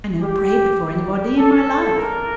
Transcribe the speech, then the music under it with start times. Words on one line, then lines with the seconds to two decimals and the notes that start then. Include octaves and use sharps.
I never prayed before anybody in my life.
0.20 G4
0.79 A2 E3 G3 G4
1.38 A4
1.97 E2 D3 A3 D4 A#4